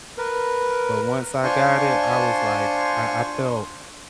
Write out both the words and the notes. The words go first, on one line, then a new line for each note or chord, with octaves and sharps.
but once I got it, I was, like I I felt
A#4 B4
D4 F4 C5 G#5 C6 C#6